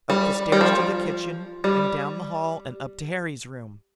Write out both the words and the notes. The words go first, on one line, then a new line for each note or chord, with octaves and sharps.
"Up the stairs to the kitchen and down the hall and up to Harry's room."
G3
G3
F3
G3